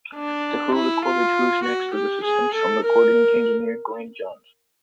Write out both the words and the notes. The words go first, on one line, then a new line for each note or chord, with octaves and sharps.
The Who recorded "Who's Next" with assistance from recording engineer Glyn Johns.
D4
E4
F4
F#4
G4
G#4
A4
A#4